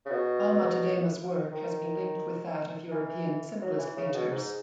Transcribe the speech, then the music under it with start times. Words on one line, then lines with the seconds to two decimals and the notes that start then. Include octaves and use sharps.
Alma-Tadema's work has been linked with that of European Symbolist painters.
0.06 C#3
0.11 B2
1.52 D#3
2.91 E3
3.62 F#3
3.79 E3
3.96 C#3
4.14 B2
4.32 G#2